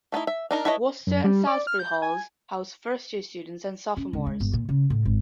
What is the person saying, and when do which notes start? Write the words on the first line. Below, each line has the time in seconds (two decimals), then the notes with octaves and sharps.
Worcester and Salisbury halls house first-year students and sophomores.
0.12 A3 B3 D#4 E4
0.27 E5
0.51 D4 D#4 A#4
0.65 E4 A4 B4 C#5 D#5
1.07 F#2
1.24 G3
1.47 D5
1.67 F6
1.79 G6
2.02 G#5
3.97 C#4
4.13 C#2
4.26 G#3
4.40 G1
4.53 A#2
4.69 C#3
4.90 A2
5.05 G#1